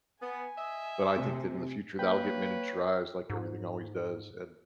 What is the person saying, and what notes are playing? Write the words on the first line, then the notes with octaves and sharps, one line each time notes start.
but I think that in the future, that'll get miniaturized, like everything always does, and
B3 G#5
D#5 E5
C3 A3 C4
A#3 B4 C#5 G5
G#2